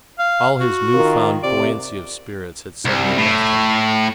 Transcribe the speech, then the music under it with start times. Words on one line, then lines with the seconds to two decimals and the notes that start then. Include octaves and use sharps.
All his new-found buoyancy of spirits had suddenly left him.
0.19 F5
0.60 F#4
0.95 D#3 F4 A#4
1.43 C3 D5
2.85 C2
3.18 A2